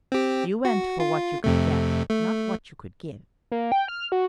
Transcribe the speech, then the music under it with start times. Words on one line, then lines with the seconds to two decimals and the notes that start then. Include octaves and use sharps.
"You went for what you could get, not what you could give."
0.12 C4 G4
0.65 F#4
1.00 F4
1.44 F2 C3 A3
2.10 A3
3.52 A#3
3.72 G5
3.88 F6
4.12 F#4